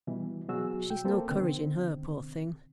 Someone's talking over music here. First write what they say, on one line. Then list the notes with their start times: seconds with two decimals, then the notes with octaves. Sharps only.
She's no courage in her, poor thing!'
0.07 B2 E3 G3
0.49 B2 F#3 F#4 G#4 E6
0.90 G5
1.05 A#3 C4 A4
1.29 B2 D3 D#3 C4